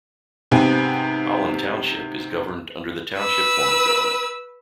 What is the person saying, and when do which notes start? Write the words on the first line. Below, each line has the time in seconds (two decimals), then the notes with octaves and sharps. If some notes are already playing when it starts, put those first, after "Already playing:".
Holland Township is governed under the Township form of government.
0.51 G#2 C3 B3 G5 G#5
3.17 B4 E6